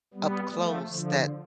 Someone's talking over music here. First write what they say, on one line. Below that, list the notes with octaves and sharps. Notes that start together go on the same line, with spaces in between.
up close that
G3 B3
F3 A3
D3 F3